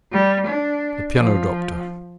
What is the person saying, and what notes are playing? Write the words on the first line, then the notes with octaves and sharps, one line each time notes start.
The "Piano Doctor."
G3
D4
F3